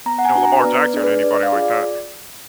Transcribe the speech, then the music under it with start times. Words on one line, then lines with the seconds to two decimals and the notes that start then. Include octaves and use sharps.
you know, Lamar Jackson or anybody like that
0.06 B3 A#5
0.19 F#5
0.25 G#5
0.35 D4 F#4
0.45 A#5
0.59 B4
0.64 B3 D5
0.94 D4 G#4 D5
1.04 B4
1.23 D4 D5
1.43 F5
1.52 F4 G#4
1.62 D5